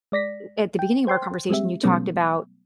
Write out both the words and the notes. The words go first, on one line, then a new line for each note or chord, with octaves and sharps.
at the beginning of our conversation, you talked about,
G#3 D5 A#6 B6
G5
C5 G5 C6
G3 G#3 C4 G4 E5
B2 F#3 G3 A3 B3 C#4